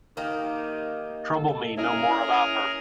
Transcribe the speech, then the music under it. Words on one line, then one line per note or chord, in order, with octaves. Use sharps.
Trouble me no more about her.
D#3 A#3 D#4 G4
A4
C#4 E4 G#4 A#4